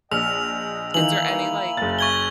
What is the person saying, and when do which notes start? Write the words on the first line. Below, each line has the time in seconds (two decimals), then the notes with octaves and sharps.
Is there any, like
0.12 A#1 D#5 G5 E6 F6 F7
0.94 D#3 E3 A#3 E4 G#5 F#7
1.77 F#1 A6
1.99 C#6 G#6 G7